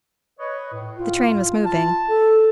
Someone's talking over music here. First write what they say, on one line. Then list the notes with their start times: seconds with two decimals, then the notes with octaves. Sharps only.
The train was moving.
0.39 B4 C#5 D#5
0.73 A2
0.97 F4
1.65 A5
2.08 A4